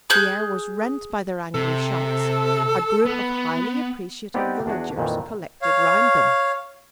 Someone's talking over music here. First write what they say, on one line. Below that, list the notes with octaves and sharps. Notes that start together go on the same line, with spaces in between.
The air was rent by their angry shouts. A group of highly appreciative villagers collected round them.
G#4 F#6 G6
C3 A4
B3
B3 C4 D#4 G4 B4 D5
E2 D4 F#4 G#4
F2 A#2 D#3 E3
C#5 F5